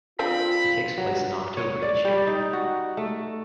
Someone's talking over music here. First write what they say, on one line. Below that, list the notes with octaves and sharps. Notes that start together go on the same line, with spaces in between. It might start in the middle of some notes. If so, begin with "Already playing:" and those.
It takes place in October each year.
F3 C4 D4 F4 B5
F#3
C#5
D5
G3
D#4
F#4
A3